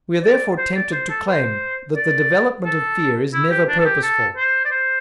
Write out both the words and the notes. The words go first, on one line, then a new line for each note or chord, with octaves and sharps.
We are therefore tempted to claim that the development of fear is never purposeful.
D5
C5
D5
C5
A4
C5
D5
A4
E4
G4
D4
A4
G4
A4
C5
D5
C5